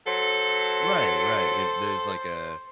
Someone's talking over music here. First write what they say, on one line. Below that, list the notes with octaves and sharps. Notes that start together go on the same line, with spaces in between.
Right, right. Y if there's like a
F#3 A4 C5